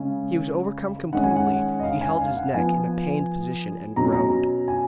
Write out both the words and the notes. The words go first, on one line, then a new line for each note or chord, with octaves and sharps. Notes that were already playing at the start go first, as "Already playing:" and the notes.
He was overcome completely; he held his neck in a pained position and groaned.
Already playing: C#3 G#3 C#4
D#3 G#3 C#4 F#5
G#5
F#5
D#5
F5
G#5
F5
F#5
F3 B3 G#5
B2 F#3 C#4 A#5
A#5
G#5